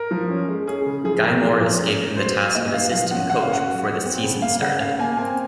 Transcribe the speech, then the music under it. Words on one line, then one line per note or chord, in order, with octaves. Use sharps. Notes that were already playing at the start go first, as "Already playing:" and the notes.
Guy Morriss gave him the task of assistant coach before the season started.
Already playing: A#4
F3
C#4
G#3
C#4 G#4
C#3
F3 G#4
A#3 A#4
F3 G#4
F3
C#4 A#4
C#4
F#3 C5
F#3
A#2 D#5
A#2 F5
F3 F5
C#4 F#5
C#4 F#5
F5
C#4 F#5
F#3
F#3
C4
C#3
A#3 F5
C#3 F#5
C#4 F5
A#3 G#5
C4 G#5